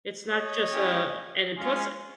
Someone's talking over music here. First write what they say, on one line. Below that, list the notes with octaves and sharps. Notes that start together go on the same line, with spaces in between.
It's not just a and then plus
C#5 D#5
G#3 C#4 E4 G4
G#3 C#4 F4